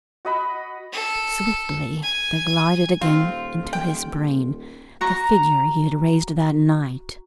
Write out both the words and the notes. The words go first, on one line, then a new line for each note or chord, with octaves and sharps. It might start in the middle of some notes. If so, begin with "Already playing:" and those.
Swiftly, there glided again into his brain the figure he had raised that night.
F#4 D#5 B5
A4
G#5
D#1 C4 F4
G5
F#4 A#5 C#6